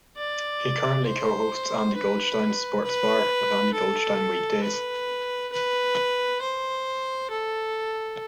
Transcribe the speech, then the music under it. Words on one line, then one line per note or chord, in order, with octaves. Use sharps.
He currently co-hosts Andy Goldstein's Sports Bar with Andy Goldstein weekdays.
D5
C5
B4
B4
A4
B4
B4
C5
A4